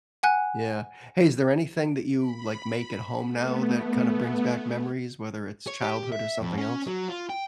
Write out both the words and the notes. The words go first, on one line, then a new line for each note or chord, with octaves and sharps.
Yeah. Hey, is there anything that you, like, make at home now that kinda brings back memories, whether it's childhood or something else?
F#5 G#5 F#6
B5
A3 B3
C#5
G4
E5
F2
C#4
F#3
F4
G5